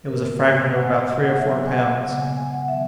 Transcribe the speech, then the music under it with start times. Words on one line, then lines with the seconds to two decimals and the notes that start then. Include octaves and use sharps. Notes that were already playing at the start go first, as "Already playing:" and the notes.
It was a fragment of about three or four pounds.
0.09 G#2 D#3 A#3 A#4
0.41 G#5
0.73 C#3 G#3 B3 F#5
0.83 G#5
0.90 F#5
1.07 D#5
1.23 F#5
1.39 A#2 F#3 B3 E5
1.67 G#5
1.71 F#5
2.04 C#3 G#3 B3 F#5
2.21 G#5
2.37 G#5
2.53 F#5
2.68 D#3 F#3 B3 E5